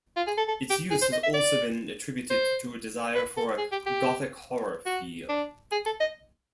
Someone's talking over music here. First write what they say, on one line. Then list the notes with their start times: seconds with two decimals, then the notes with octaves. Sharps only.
Its use has also been attributed to a desire for a "gothic horror" feel.
0.16 F4
0.27 G#4
0.38 A4
0.48 A4
0.70 G4
0.91 G#4
1.02 C5
1.13 D#5
1.23 E5
1.34 D5
2.30 C5
3.15 B4
3.37 A4
3.58 G#4
3.72 G4
3.86 G4
4.86 F#4
5.29 D4
5.72 G#4
5.86 A4
6.00 D#5